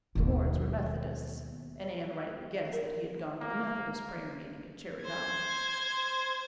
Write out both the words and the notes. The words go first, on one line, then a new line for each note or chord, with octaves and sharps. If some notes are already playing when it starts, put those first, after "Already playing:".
The Warrens were Methodists and Anne rightly guessed that he had gone to the Methodist prayer meeting at Cherry Valley.
D#2 B2
A#4
A#3
C5 G#6